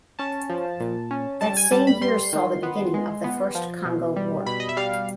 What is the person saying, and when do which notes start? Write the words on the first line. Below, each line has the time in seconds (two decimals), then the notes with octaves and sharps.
That same year saw the beginning of the First Congo War.
0.19 C#4 A5
0.49 F3
0.80 A#2
1.11 C#4
1.41 G3 A5
1.57 G#5
1.71 G3 A5
1.87 B5
2.01 G3 C6
2.33 D#3
2.63 B3
2.94 G#3
3.24 B3
3.55 F3
3.85 B2
4.16 G3
4.46 B2 B5
4.60 D#5
4.69 E5
4.77 G3 F5